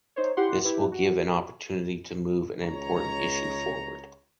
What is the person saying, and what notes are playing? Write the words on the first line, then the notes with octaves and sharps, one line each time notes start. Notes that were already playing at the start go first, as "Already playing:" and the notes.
This will give an opportunity to move an important issue forward.
D#4 C5 C#5
E4 G4 F#5 C6
E4 G4 B4
F#4
C#2 C#5 A#5